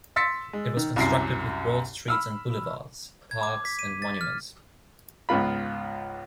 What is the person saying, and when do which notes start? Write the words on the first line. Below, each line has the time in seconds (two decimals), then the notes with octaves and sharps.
It was constructed with broad streets and boulevards, parks and monuments.
0.16 C6 E6 A6 B6 C#7
0.53 G#3
0.77 D#3
0.96 C2 F#2 C7
2.08 B5 E6 F6
3.31 G#6
3.43 D6
3.65 B6
3.79 D#7
4.02 A6
4.21 F6
5.29 C#2 G#2 B3 F4 B5